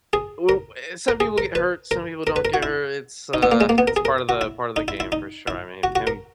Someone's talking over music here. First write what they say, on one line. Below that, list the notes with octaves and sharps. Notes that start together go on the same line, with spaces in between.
u eh some people get hurt, some people don't get hurt, it's, uh, it's part of the part of the game, for sure. I mean, him
G#4
A#4
A#4
G#4
A#4
B4
A#4
A#4
B4
A#4
F#4
E4
D#4
B3
A#3
G#3
A#3
B3
A#4
G#4
A#4
F#4
E4
D#4
E4
E4
D#4
E4
F#4
F#4
A#4